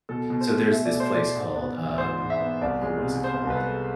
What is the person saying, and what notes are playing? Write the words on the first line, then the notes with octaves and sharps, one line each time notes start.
So there's this place called, um Oh, what is it called?
B2 A4
B2
C5
A3
A3 E5
D5
B2
C5
B2 D5
G#2
B3
E3
G#2 C5
G#2
E5
B3
C2 D5
G#3
C3
B3 C5
C2 B4
A4
G#3